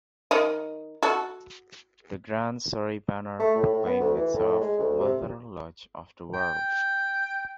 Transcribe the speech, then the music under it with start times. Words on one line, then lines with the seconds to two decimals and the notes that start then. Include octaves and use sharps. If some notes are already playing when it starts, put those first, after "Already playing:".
The 'Grand Surrey Banner' proclaimed itself "Mother Lodge of the World".
0.31 D#3 D#5
1.03 F#4 A4
3.39 A3
3.56 A2
3.73 A2
3.86 B3
4.00 D2
4.16 E3
4.35 A2
4.47 A2
4.61 G#3
4.79 D2
5.00 C3
6.34 G5